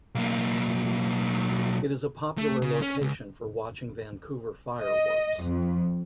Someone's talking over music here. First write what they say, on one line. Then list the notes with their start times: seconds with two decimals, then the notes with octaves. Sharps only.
It is a popular location for watching Vancouver fireworks.
0.15 B1 A#3
2.38 A3
2.62 C#3
2.82 C#4
3.02 C#2
4.80 D#5
5.43 F2